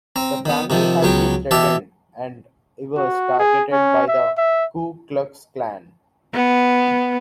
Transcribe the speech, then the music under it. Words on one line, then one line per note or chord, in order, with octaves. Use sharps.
The family had been threatened, and Evers targeted by the Ku Klux Klan.
C4 A#5
D#3 B3
C3 D#3 F3
C#2 F#3 B3 G5
B2 E3 G4 E5 A5
F#4
G#4
C#4
E5
E5
B3